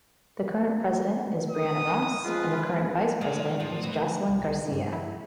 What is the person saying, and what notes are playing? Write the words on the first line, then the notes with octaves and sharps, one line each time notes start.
The current President is Breana Ross, and the current Vice President is Joseline Garcia.
D#6
F3 G#3 F4 B4
G#3 A#4 D5
D2 G#2 F3
C4 F#4 B4
C2
G#3
G2
E4